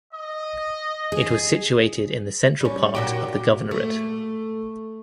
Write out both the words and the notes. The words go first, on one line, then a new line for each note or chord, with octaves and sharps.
It was situated in the central part of the governorate.
D#5
G#4
G3 C#4
A#2 F#4 G4
A3